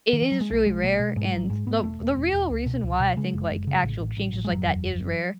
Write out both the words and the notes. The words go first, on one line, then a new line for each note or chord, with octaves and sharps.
it is really rare and the the real reason why I think, like, actual changes like that is rare,
D#3
E3
F#3
G#3
B1 A3
B1 G#3
B2 A3
B2 G#3
G#2 G#3
G#1 F#3
G#2 G#3
G#2 B3
E1 A3
E1
E1
E1
C#2
B2
C#2
B2
C#3 G#3
F#1
F#1
C#3
A1
A1
A1
A1
G#3
F#1 F#3
E2
F#1
F#1